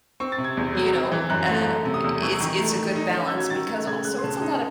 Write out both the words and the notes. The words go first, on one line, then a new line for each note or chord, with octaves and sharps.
you know, um, it's it's a good balance because also it's a lot of
C4 C#6
A6
C3
G#6
E2
F#3
C4
E3
F#2 F#6
A3
A3
C3
D#6
E2 E6
E3 C#6
D#3 C#6
A3
D#3
D#4
C#4
E6
F#3
G#6
D#3 A6
A3
C#3 G#6
G#3 F#6
C6
C#3 A5
A5
D#4
A5